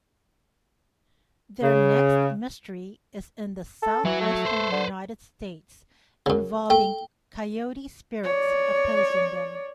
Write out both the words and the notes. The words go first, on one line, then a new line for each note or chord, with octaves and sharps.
Their next mystery is in the Southwestern United States, involving coyote spirits opposing them.
C#3
A4
E3 F#3 F#4
A3
B4 C5
D3
F#2 C#3
A3 G5
C#5 D5